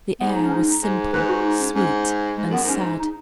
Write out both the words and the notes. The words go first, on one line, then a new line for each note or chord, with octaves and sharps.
The air was simple, sweet, and sad.
G#2 B3
D#4
C#4
D#4
G#2
G#2 B4
F#4
D#4
C#4
G#2 C#4
G#2 G#3
F#2 B3
G#2 C#4
D#4
D#4